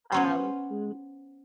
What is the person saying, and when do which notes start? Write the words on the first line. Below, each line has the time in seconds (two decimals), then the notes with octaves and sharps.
um, m
0.12 B3 C#4 C5